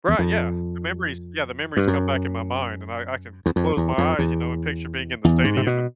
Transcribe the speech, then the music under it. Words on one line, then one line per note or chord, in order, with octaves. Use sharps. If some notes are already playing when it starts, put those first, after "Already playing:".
Right, yeah, the memories yeah, the memories come back in my mind and I I can close my eyes, you know, and picture being in the stadium and
E2
F2
G2
F#2
E2
F2
E2
F2
E2
E2
G#2
C3
B2